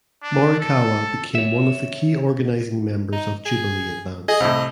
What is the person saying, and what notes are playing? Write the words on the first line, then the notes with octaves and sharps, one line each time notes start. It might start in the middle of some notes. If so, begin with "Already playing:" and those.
Morikawa became one of the key organizing members of Jubilee Advance.
D4
A4
C#5 E5
D#4
G#4
G#4 D#5
C2 A2